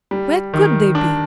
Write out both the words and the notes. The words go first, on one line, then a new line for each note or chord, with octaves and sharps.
Where could they be?
G3
D#3
D4